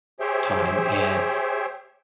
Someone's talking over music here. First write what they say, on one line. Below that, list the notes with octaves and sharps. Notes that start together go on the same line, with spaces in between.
time, and
G4 G#4 C5 C#5 E5 G5